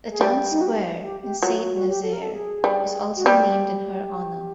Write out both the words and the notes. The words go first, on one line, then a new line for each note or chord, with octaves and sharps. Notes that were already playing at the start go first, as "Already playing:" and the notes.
The town square in Saint Nazaire was also named in her honor.
G#4
G3 G4
D#4
F#4
G4
G4
G4
F#3 F4
F#4
F#4
G4
A4
A#4
A4
G#4
G3
F#4
G3 G4